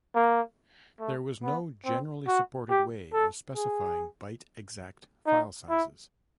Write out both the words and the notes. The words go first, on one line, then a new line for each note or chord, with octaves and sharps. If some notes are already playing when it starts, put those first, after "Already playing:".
There was no generally supported way of specifying byte-exact file sizes.
A#3
A3
B3
C4
F#4
G4
A4
G#4
D#4
E4